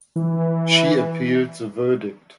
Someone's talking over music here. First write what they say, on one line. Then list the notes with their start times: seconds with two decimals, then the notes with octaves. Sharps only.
She appealed the verdict.
0.16 E3